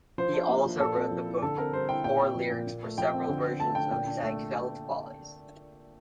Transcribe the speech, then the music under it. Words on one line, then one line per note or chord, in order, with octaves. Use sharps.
He also wrote the book or lyrics for several versions of the Ziegfeld Follies.
F3 C5
D4
A#3
F3
A#2 A4
C4
F3
E4
D3 A4
C4 A#4
G3 C5
E4 G5
A#2 G5
C4
F3
A#2
A#2
A3
F3 G5
C4
D3
C4
A3 A5
D3 G5
A#2 G5
D4
A3